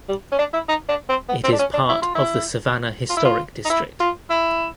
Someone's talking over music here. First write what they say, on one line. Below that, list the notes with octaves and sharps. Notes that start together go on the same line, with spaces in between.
It is part of the Savannah Historic District.
G3
C#4
D4
E4
D#4
D4
C4
B3
C4
D4
C#4
D4
E4
F4
E4
F4
E4
F4
D#4
E4
F4
E4